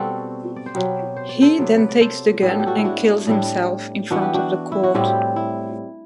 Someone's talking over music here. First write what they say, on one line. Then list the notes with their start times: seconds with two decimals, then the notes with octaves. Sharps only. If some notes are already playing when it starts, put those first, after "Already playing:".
He then takes the gun and kills himself in front of the court.
Already playing: B2 G3 C4 F#4 A4
0.56 D5
0.66 C5
0.74 B2 F#3 C4 G4 B4
1.16 C5
1.29 D5
1.41 A4 C5
1.59 C3 F#3 B3 D5
1.77 B4 D5
1.89 D5
2.01 A4 C5
2.42 A2 G3 B3 B4
2.50 A4
2.59 G4
2.66 F#4 A4
2.78 E4
2.84 D4 F#4
3.27 A2 G3 D4 E4
4.11 E3 B3 D4 F#4
4.22 G4
4.34 D4 F#4
4.72 E4
4.83 F#4
4.94 A2 G3 C4 E4 G4
5.36 E4